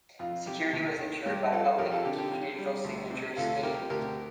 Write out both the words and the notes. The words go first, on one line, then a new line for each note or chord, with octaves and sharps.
Security was ensured by public key digital signature schemes.
F2 F4
C3 G4
D#2
D#3
G2 G4
F3 F4 A4
F2 G4 A#4
F4 A4
D3 G4
G4
C3
G3
D2
C3
D2 F4 A4
C3 G4 A#4
D2 G4 A#4